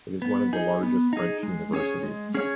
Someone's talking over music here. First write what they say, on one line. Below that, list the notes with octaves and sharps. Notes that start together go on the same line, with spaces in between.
It is one of the largest French universities.
B3
D#4 G#4
B3
D#4 G#4
G#3
C#4 G#4 C#5
G#3
C#4 G#4 C#5